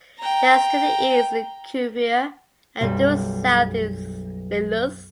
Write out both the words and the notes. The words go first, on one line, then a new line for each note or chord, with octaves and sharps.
Just to the east is Cuvier, and due south is Lilius.
G5 A#5
B1 F#2 G3